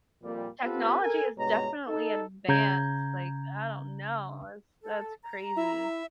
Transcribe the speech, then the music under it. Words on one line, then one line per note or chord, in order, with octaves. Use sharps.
technology is definitely advanced, like, I don't know, it's that's crazy.
F2 A#2 G3
B3 C4 F4 G4 A4 B4
A4 A#4 G#5
G2 B2 G#3 C#5 A#5
D#4 A4
C#3 A#5 G6 G#6
A4
A#5
E4 E5